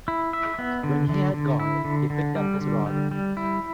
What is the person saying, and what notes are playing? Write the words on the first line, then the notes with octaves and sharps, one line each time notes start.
When he had gone, he picked up his rod.
E4
E5
B3
D3
D3
D3
E4
D3
D3
G3
D3
G3
G3
E4